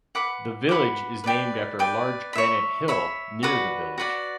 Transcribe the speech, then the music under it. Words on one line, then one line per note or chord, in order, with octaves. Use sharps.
The village is named after a large granite hill near the village.
B4 F#5 B5 D6
B4 F#5 B5 D6
B4 D5 G5
B4 D5 G5
C#5 E5 B5
C#5 E5 B5
F#4 B4 D5 F#5
F#4 B4 D5 F#5